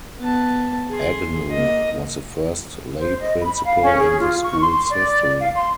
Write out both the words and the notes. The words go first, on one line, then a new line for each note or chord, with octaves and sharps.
Agnew was the first lay principal in the school's history.
B3 A5
G#4 C6
A#3 D#5
C5
D#5
B5
F5
C#4
G#4
F4
C#6
C6
D5
F5
C6